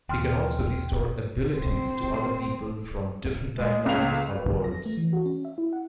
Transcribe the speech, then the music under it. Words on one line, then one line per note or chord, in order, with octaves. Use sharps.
He can also restore abilities to other people from different timelines or worlds.
D#2 G5 C6 F6
C4 C5
G#3
C#2 A#3 F7
B4
F#3
A#6
A3
E3
F#4
C#4
E5
E4
F#5